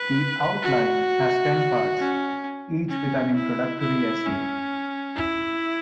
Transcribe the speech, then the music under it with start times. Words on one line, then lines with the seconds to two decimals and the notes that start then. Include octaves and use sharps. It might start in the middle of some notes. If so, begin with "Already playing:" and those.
The "Outline" has ten Parts, each with an introductory essay.
Already playing: B4
0.62 F#4
1.99 C#4
2.89 C#4
3.35 E4
3.80 E4
4.26 C#4
5.16 E4